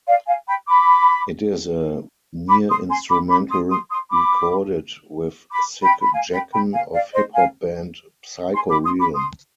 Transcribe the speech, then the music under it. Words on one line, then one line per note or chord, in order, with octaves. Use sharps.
It is a near-instrumental recorded with Sick Jacken of hip-hop band Psycho Realm.
D5 F5
F5 G#5
G5 B5
B5 D6
B5 D6
C6 D#6
G#5 C6
B5 D6
B5 D6
C6 D#6
C6 D#6
C6 D#6
B5 D6
B5 D6
G5 B5
B5
F5 G#5
G5 B5
G5 B5
F5 G#5
D5 F5
C5 D#5
F5 G#5
G#5 C6
B5 D6
C6 D#6
B5 D6
C6 D#6